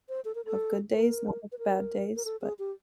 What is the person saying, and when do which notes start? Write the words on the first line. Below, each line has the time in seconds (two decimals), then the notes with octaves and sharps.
I have good days, and I have bad days, but
0.09 C5
0.25 A4
0.35 A#4
0.45 A4
0.91 A#4
1.52 B4
1.59 A#4
2.16 A#4
2.25 A4
2.41 G#4
2.59 G4